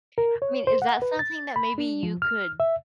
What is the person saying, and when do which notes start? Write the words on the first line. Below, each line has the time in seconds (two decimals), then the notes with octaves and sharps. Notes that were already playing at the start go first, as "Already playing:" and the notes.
I mean, is that something that maybe you could
0.18 A#4
0.42 C#5
0.67 C5
0.82 F#5
1.02 B4
1.19 A6
1.56 B5
1.78 D4
2.03 F3
2.22 F6
2.60 E5